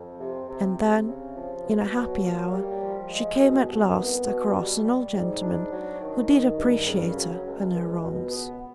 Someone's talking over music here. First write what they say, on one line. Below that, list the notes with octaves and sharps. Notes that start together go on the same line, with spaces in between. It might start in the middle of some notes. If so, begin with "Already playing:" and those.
And then, in a happy hour, she came at last across an old gentleman who did appreciate her and her wrongs.
Already playing: F2
C3
C3
C3
C#3
F3
B2
F#3
A#3
G3
F3
G#3
B2
C2
B3
B2
G3
G3
G#2
D4
F#3
D#3
D#3
G2
C#3
F#3
C#2
C#2
B2
B3